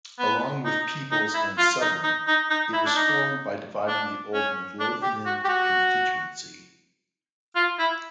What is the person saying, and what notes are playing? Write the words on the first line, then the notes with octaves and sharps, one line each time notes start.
Along with Peebles and Southern, it was formed by dividing the old Midlothian constituency.
B3
D#4
D#4
E4
F4
D#4
D#4
D#4
D#4
E4
D4
D#4
D4
C#4
D4
G4
F#4
G4
F#4
F4
E4